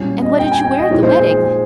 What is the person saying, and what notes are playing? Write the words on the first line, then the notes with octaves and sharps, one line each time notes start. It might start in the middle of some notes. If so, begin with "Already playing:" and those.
"And what did you wear at the wedding?"
Already playing: A#2 G3 C#4 F4
D#5
G5
G#5
G5
D#5
A#2 F3 G#3 D#4 C#5
C5
G#4
G#4
G#4